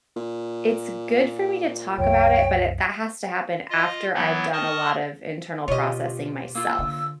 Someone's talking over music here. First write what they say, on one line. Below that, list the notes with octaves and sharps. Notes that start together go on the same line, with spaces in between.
it's good for me to talk about it, but it that has to happen after I've done a lot of internal processing myself.
A#2
C2 F#2 C#5 G5
F4 D#5
E3 F#3 B3 E4
D#5 A5 C#6 D#6 F6
B2 F4 G4 C#5 D#5
A#3 F4 E6
D3